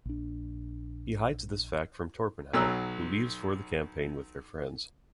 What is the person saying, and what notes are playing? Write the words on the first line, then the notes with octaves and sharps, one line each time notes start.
He hides this fact from Torpenhow, who leaves for the campaign with their friends.
A#1 D4
B1 F#3 A#5 E6 F#6